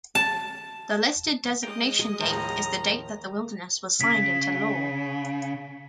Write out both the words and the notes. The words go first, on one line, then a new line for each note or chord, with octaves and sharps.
The listed designation date is the date that the wilderness was signed into law.
A5
G#3 D#5 G5 A#5
D#2 A2 F3 A#5
C#3 B6